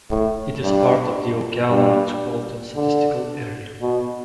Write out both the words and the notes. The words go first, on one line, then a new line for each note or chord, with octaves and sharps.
It is part of the Ocala Metropolitan Statistical Area.
A2
G2
G2
D3
B2